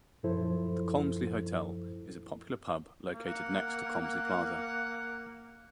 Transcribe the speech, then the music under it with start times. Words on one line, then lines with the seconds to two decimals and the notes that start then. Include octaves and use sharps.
The Colmslie Hotel is a popular pub located next to Colmslie Plaza.
0.23 F#2 A#2 F3 E4 A4 C5
3.13 A#3
3.27 F#5